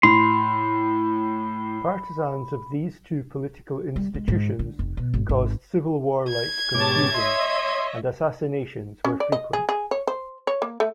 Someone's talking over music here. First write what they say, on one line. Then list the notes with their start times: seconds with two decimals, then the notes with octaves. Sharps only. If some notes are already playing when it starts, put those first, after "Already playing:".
Partisans of these two political institutions caused civil war-like confusion, and assassinations were frequent.
0.03 A2 B5 C6
3.96 G3
4.14 G#3
4.28 G#2
4.59 D3
4.79 F1
4.97 B2
5.14 G#1
5.29 G#1
6.28 G#6
6.74 G#2 B2 G4 C#5 A5 D6
7.14 C#5 D#5 E5 C6
9.05 C#4
9.20 D5
9.32 D#5
9.53 G#4
9.69 G#4
9.91 C#5
10.07 C5
10.47 C#5
10.62 A#3
10.80 A3